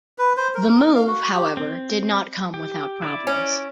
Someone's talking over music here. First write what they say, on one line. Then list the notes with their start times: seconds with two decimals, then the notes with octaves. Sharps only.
The move, however, did not come without problems.
0.18 B4
0.37 C5
0.55 A#4
0.68 A#4
0.95 F5
1.07 F#4
1.34 G4
1.57 C4
2.54 G4
3.02 E4 D5
3.27 C#4